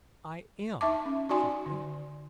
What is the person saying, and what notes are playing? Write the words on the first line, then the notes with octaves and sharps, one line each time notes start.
"I am!" hotly.
D#4 E5 A5 D6
C#4
D#4 F#4 D5 G#5 C6
D3